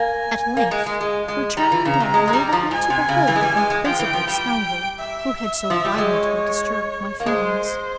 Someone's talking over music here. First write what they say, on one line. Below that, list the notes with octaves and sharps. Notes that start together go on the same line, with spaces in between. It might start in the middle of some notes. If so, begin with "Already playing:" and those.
At length, returning Day enabled me to behold the unprincipled Scoundrel who had so violently disturbed my feelings.
Already playing: A#3 G#5
A#3
G#3
G#3
G#3
G#3
G3 A#5
E3
C#3
C3
G#3
G#3
G3
F3
G#2 G#5
C3
C#3
E3
G#3
G3
G#3
G#3
F3 G5
E3
F3
G3
E5
F3
G3
G#3
C#5
A#3
G#3 C5